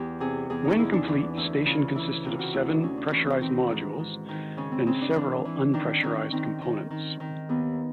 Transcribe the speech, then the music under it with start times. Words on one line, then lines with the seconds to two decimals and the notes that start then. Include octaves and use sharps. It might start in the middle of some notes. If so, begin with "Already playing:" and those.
When complete, the station consisted of seven pressurised modules and several unpressurised components.
Already playing: E2 G4
0.20 C3 G#4
0.50 E2 G#4
0.65 D#4
0.78 E2 E4
0.93 D4
1.07 E3 D4
1.37 D2 E4
1.66 C#3 F4
1.95 E3 E4
2.24 C3 F4
2.39 F#4
2.53 D2 E4
2.69 D4
2.82 D2 C#4
2.97 D4
3.12 E3 C#4
3.26 C4
3.41 D#3 C4
3.70 G#2
3.99 G#2
4.29 D#3
4.57 C#3 C#4
4.72 C4
4.87 C#3 C4
5.01 D4
5.16 E3 D4
5.45 E3
5.74 D#3 D4
6.03 D#3 C#4
6.32 D#3 C4
6.61 D#3
6.90 D#3
7.20 D#3
7.49 D#2 B3